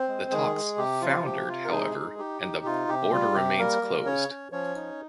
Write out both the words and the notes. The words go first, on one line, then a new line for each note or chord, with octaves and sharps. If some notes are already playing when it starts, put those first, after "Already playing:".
The talks foundered however and the border remains closed.
Already playing: C4 C5
G#3
D#3 G#3 G#4
G#3
C3 G4
F3 F4
C3 G4
C3 F4
A#4
G#3 D#4 G#4
D#4
D#4 G4
D#4
C3 F4
C3 G4
G3 F4
C3 G4
G3 A#3 A#4
G3
C#3 C#4 C#5
C#4
F3 C#4 C#5
D#4